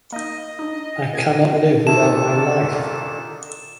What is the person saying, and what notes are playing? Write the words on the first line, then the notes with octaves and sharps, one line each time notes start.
I cannot live without my life!
A#3 D#4 D#5
D4 D#4
A#2 G#6
A#2 D#3 D4 D#4 A4 E5 A5 E7